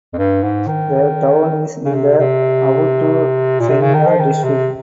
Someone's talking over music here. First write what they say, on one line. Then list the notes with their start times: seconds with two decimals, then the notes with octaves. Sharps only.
The town is in the Awutu Senya district.
0.13 F2
0.18 G2
0.43 G#2
0.67 D#3
1.85 C#3
1.94 C3
2.19 C3
3.60 A#2
3.69 C3
3.82 C#3
3.94 D#3
4.06 F3
4.19 D#3
4.44 C3